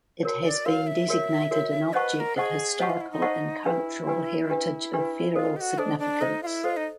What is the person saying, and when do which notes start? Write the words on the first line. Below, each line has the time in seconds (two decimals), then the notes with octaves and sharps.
It has been designated an object of historical and cultural heritage of federal significance.
0.23 F#4 A#4 C#5
0.44 D5
0.66 F#4 A#4 C#5 F5
0.87 E5
1.09 F#4 A#4 C#5
1.51 F#4 A#4 C#5
1.93 B4 C5 D#5 F#5 A5 C#6
2.16 B4
2.20 A#4
2.37 G#4 C5 D#5 F#5 A5 C#6
2.79 G4 C5 D#5 F#5 A5 C#6
2.90 F4
3.01 E4
3.11 D#4
3.22 C5 D#5 F#5 A5 C#6
3.65 D4 E4 G4 B4
4.07 D4 G4 B4
4.50 D4 G4 B4
4.93 D4 G4 B4
5.36 F4 A4 C5 D#5
5.56 G4
5.61 F#4
5.78 D4 A4 C5 D#5
5.99 D4
6.20 D#4 A4 C5 D#5
6.43 F4
6.47 E4
6.64 F4 A4 C5 D#5
6.77 D#4